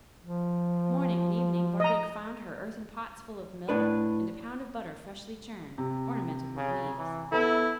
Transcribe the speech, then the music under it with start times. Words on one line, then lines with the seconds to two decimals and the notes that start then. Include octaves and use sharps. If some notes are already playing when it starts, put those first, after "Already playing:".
Morning and evening Barbaik found her earthen pots full of milk and a pound of butter freshly churned, ornamented with leaves.
0.22 F3
1.80 D#5 A#5
3.69 A2 D4 B4
5.78 C3
6.57 C#3
6.98 E3
7.32 B3 E4 A4